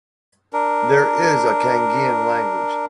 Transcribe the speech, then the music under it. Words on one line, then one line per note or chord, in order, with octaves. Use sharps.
There is a Kangean language.
D4 A#4